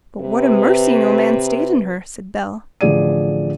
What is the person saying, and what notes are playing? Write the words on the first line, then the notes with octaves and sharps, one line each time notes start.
'But what a mercy no man stayed in her,' said Bell.
C3 B4
A1 D3 F3 G#4 D5 D#7